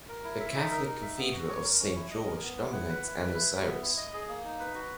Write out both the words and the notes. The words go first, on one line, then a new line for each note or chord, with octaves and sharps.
The Catholic cathedral of Saint George dominates Ano Syros.
A#4
E4
E5
D#4
A#4
D#4
E5
B3
F#4
C#5
A#4
C#4
E4
D#5
A#4
B3
E4
F#5
B4
E4
B4
E4
E5
B3
E4
D#5
G#4
A#3
D#4
B4
F#4